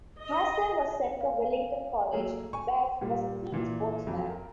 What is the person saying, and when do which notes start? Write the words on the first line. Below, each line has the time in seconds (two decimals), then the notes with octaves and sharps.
Hasler was sent to Wellington College, where he was a keen sportsman.
0.21 D#5
1.21 F5 G#5
2.13 F#3 A3 A#3 G#4
2.53 G#5 C#6
3.01 A#2 G3
3.52 A#2 E3
4.07 F2 F#3
4.29 A#4